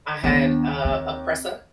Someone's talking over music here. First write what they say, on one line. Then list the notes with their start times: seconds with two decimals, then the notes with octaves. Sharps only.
I had, uh, a Presa,
0.24 D#2 B3 D4
0.85 C4